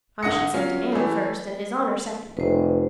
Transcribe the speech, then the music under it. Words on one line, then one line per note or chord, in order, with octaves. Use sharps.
I should say to Ann first and His Honor second.
G#1 D3 F#5 D#6 A#6 C#7
F#3 C#4 F4
E3 A3
F1 B4 C5